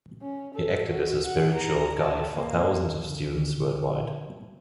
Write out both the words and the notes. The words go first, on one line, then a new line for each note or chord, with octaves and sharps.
He acted as a spiritual guide for thousands of students worldwide.
C#4
A4
F#4
F#5
A#5
A5
A#3
D3